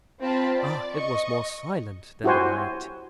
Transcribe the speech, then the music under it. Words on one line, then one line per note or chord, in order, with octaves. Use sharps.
Ah! it was more silent than the night.
C4 F4 C5 A5 B5
D5
D#5 C#6
E4 F#4 G4 C5 G#5